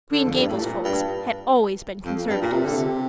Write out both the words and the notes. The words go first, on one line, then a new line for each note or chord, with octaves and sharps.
Green Gables folk had always been Conservatives.
D3
F2
G2
A2
A#2
G2
F2
G2
A#2
C3
D3
C3